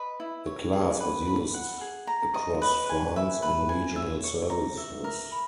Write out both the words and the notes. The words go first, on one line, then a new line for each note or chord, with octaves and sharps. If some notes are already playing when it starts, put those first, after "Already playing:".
The class was used across France on regional services.
Already playing: B4 D#5
E4
C#5
G#4
B4
B5
F#5
G#4
A#5
D#5
B4
G#5
E5
B4
G#5
E5
C#5
A#5
E5
A#4
B5